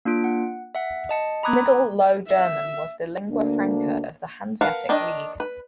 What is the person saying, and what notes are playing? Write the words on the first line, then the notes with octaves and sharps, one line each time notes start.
Middle Low German was the lingua franca of the Hanseatic League.
A#3 D4 F4 D7
F#5
E5 F#5
D#5 A5 C#7
A#5 B5 D6 D#6 F#6 G#6
E5
D2 A#3 D4
A#4 B4 F5 F#5 A5
D#3 D4 D#4 D5 D#5
B4